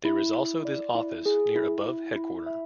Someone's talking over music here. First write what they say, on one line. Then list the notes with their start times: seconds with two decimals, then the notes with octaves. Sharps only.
There is also this office near above headquarter.
0.05 E4
0.35 E4
0.65 D5
0.95 E4
1.26 G#4
1.56 E4
1.86 E4
2.16 E4
2.46 E5